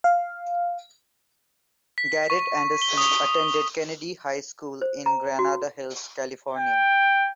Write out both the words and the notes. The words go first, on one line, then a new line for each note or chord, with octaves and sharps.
Garret Anderson attended Kennedy High School in Granada Hills, California.
F5
B6
C#6
G7
D#6
C5
A#5
F#4
G5